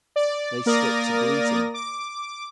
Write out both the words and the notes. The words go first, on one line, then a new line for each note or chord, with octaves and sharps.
They stick to bleating.
D5
A#3 A#4 D5 D#6 A#6
D6